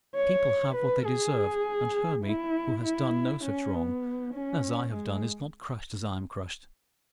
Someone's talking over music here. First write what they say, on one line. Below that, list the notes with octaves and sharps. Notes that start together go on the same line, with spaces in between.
But people have what they deserve, and Hermy, who has done no such wrong as I have done, is not crushed as I am crushed.
C#5
B4
G#4
E4
E4
C#4
B3
C#4
G#3